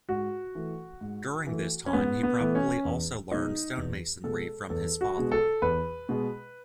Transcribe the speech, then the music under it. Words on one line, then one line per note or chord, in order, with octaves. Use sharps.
During this time he probably also learned stonemasonry from his father.
G#2 F#4
E3 A3
G#2
E3 A3
C#4
G#2 B3
B3
E3 A3
C#4
E2
B2 G#3 D#4
E2
B2 G#3 A4
E2 A4
F#4
B2 G#3
A4
E2 B4
B2 G#3